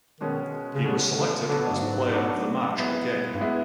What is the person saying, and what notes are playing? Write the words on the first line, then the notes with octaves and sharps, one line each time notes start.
He was selected as player of the match again.
B2 D#3 G#3 C#4
C#3
B2 D3 G#3 C#4
D3
D3 F#3 B3 D4 F#4 A4
G2
G#2
F#3 B3 D4 F#4 A4
G#3 B3 E4
G2
G#3 B3 E4